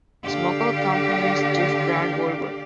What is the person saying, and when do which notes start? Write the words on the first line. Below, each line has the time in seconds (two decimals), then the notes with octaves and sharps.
Smucker Company's Jif brand worldwide.
0.25 D3 G4 D5 F5